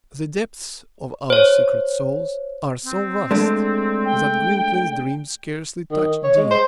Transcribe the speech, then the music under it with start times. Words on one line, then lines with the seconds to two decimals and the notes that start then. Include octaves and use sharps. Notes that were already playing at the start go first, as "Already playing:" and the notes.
The depths of our secret souls are so vast that Gwynplaine's dreams scarcely touched Dea.
1.30 C5 C#5
2.85 C4
3.31 G#3 A3 D4
4.05 G5
5.91 D#3
6.24 C#5
6.37 G#3
6.51 C5